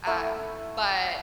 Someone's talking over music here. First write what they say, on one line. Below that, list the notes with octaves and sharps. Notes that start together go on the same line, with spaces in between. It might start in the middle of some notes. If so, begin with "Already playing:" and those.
um, but
A3 E4 E5 F#5